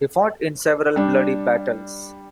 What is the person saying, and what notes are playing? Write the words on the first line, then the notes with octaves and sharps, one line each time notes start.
He fought in several bloody battles.
G3 D4